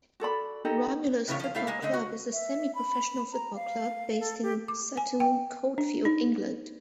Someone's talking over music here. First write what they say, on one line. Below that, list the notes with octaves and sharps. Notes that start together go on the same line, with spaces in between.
Romulus Football Club is a semi professional football club based in Sutton Coldfield, England.
F#4 A4 D5 B5
D#4 G4 A4 D#5
A2 C#3 E3 A3 F4 C#5
F3 F5
A3 E4 A4 F5
G#3 A#3
D3 A3 D#5
F#4
E5
B5
A#5
F5
A4
G4
D6
G#5
G5
D4
D#4